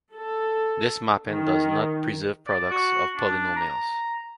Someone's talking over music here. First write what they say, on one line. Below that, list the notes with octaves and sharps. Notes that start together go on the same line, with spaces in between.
This mapping does not preserve products of polynomials.
A4
D#3
D5
F#4
D4
A#5